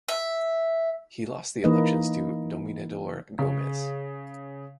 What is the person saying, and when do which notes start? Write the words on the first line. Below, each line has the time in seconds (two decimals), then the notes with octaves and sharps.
He lost the elections to Dominador Gomez.
0.08 E5
1.64 E3 A#3 D#4 B4 D#5
3.39 C#3